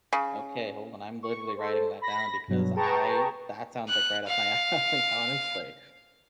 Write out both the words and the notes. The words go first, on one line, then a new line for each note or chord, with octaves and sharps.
Okay, hold on, I'm literally writing that down because I that sounds, like, right up my alley, honestly.
C#3
C#6
A4 C5
B5 A#6
G2 B2 F#3
G#4 B4 G5 A5 A#5 C#6
F#6
F5